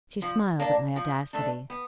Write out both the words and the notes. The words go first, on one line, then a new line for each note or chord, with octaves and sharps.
She smiled at my audacity.
F3
A#3 D4
F3
A3 D4
B3